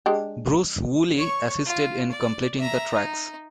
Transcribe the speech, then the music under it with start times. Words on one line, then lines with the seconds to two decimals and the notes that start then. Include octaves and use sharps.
Bruce Woolley assisted in completing the tracks.
0.06 G#3 D4 G4
1.17 C#5 C#6
1.65 F4
2.11 D5
2.58 E5 A#5
2.94 D#4